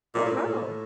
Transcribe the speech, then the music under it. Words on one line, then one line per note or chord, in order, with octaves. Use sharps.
Oh, wow.
A#2
A2
A#2
A2